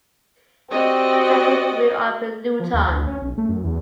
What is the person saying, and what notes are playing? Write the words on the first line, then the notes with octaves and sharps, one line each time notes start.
Jackson grew up in Luton.
C4 F#4 G4 D5 D#5
F3
D#2
D2
C#4
B1
A3
F#2
E2